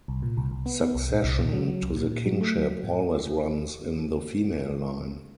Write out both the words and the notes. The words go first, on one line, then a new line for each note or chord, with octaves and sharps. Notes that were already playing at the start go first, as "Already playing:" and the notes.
Succession to the kingship always runs in the female line.
C2
A#2
C2
C2
B3
B3
C2
A#2
C2
A#2
F#3
F#3
C2
A#2
A#2
F#3
A3
F#3
F#3
A2